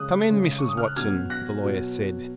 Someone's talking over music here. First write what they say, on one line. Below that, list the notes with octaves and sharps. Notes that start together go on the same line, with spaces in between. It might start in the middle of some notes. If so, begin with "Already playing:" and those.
"Come in, Mrs. Watson," the lawyer said.
Already playing: C#3 G#3 D#6 F#6
C#3 G#3
C#6
D#6
F6
F#6
B2 F#3 F6 G#6
F#6 A#6
B2 F#3